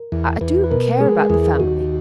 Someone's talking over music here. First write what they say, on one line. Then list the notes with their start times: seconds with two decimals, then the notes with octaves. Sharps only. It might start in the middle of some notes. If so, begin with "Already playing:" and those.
I do care about the family.
Already playing: A#4
0.12 E2
0.41 E2 B4
0.64 B4
0.71 B2 A#4
1.00 G#3 G#4
1.30 E2 G#4
1.60 D#2 F#4